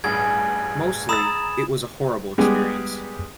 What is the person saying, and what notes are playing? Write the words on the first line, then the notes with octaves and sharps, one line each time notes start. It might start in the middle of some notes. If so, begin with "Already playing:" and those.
Mostly, it was a horrible experience.
A1 G2 G#4 G#6
A#5 B5 D#6 E6 A6 E7
G3 G#3 B3 G4 G#4